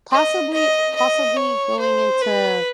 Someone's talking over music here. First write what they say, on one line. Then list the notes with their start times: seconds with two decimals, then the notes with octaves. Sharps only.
possibly possibly going into,
0.11 D#5
0.53 D#5
0.96 D#5
1.37 C#5
1.80 C5
2.22 B4